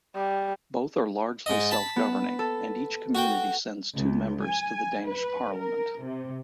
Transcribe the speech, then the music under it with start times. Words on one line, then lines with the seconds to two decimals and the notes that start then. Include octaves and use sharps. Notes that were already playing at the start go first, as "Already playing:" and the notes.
Both are largely self-governing, and each community sends two members to the Danish Parliament.
0.15 G3
1.46 G#2 D#5
1.71 A5 B5
1.96 B3
2.39 A4
3.15 F#4 G5
3.95 C#2
4.45 G#5
5.07 B4
5.53 A#4
6.02 C3